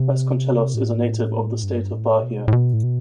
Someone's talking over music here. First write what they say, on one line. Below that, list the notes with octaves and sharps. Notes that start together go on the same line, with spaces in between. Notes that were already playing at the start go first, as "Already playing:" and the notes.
Vasconcellos is a native of the state of Bahia.
Already playing: C3
A2
G2
A2
B2
A2
B2
A2
B2